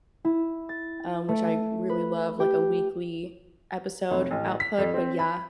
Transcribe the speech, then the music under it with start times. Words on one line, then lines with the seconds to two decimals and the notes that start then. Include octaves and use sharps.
um, which I really love like a weekly episode output, but yeah,
0.25 E4
0.69 A6
1.29 A3
1.89 B4
2.40 G4
4.11 F1
4.31 A1
4.60 B6
4.78 F2
4.94 C4
5.19 B5